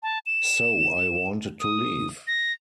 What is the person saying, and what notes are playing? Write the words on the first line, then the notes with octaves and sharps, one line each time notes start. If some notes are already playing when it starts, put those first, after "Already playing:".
So I wanted to leave.
A5
E7
D#6
A#6